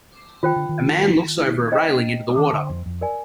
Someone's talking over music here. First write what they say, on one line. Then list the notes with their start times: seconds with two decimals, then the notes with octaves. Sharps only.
A man looks over a railing into the water.
0.43 D#3 F4 C5 G5
0.56 D3
0.69 D#3
1.72 C5 D#5 G5 A#5
2.37 D#3
2.53 D3
2.69 F2
2.86 F2
3.01 A#4 D5 G#5